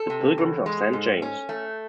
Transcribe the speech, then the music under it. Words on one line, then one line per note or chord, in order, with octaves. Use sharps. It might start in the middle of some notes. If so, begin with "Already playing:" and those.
The Pilgrims of Saint James.
Already playing: A4
C3
E2
G#3
G#2
C#4
A3